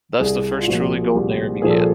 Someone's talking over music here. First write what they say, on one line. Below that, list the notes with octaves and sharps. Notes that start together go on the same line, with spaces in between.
Thus the first truly golden era began.
C2 G#4
F4
A#2 F3 A#3 F#4
C2 G4
A#2 F3 A#3 G#4
A4
G#4